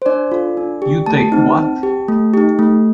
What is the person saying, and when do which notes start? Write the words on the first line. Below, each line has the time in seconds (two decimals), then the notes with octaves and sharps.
You take what?
0.02 C5
0.06 D4 D5
0.32 F4 A4
0.57 D4
0.82 G4
1.06 A3 A5
1.32 C4 D#4
1.58 C4
1.83 G4
2.08 A3
2.34 D#4 G4
2.59 A3